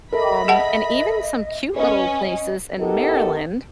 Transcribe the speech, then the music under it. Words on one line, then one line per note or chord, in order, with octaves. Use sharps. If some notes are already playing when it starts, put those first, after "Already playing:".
um, and even some cute little places in Maryland.
A4 A#4 D#5 E5 B5
G#4 F#5 A5
C#4 B4 D#5
B3 D#4 G4 A4 A#4